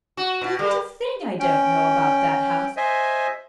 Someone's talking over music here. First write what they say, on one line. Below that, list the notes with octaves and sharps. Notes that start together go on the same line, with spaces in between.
There ain't a thing I don't know about that house.
F#4
B2
G3
C#4 G5
C5 D#5 E5 G#5